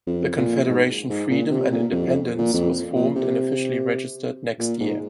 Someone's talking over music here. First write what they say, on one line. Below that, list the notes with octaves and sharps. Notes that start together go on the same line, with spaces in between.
The Confederation Freedom and Independence was formed and officially registered next year.
F2
A#2
G#2
G#2
A#2
C3
A#2
F2
F2
A#2
F2
A#2
C3
A#2
G#2